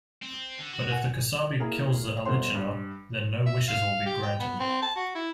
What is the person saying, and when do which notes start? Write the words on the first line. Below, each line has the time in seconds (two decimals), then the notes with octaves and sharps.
But if the kusabi kills the alichino, then no wishes will be granted.
0.22 C4
0.59 D3
0.73 F#4
0.92 F#5 G#5
1.60 A#3 E4 G#4 A#4
2.25 G1 B2 C5 C6
2.55 G2
3.46 E5
3.68 F5
4.06 G4
4.23 G5
4.39 B3
4.60 C4
4.82 A5
4.96 F#4
5.15 E4